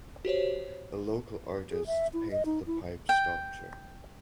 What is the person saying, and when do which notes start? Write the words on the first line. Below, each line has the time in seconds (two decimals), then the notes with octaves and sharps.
A local artist painted the pipe sculpture.
0.25 F#4 G4 C5 C#5
1.71 G#4
1.87 E5
2.13 E4
2.31 D#5
2.46 D#4
2.67 E4
3.09 G5